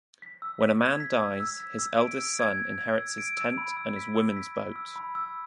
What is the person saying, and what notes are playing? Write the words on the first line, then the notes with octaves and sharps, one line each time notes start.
When a man dies, his eldest son inherits his tent and his women's-boat.
B6
E6
B6
G#6
B6
E6
E6
B6
E6
D7
E6
G#6
G#6
G#6
E6
D7
E6
B5
E6
B6
E6
B6
B6
E6
B5
E6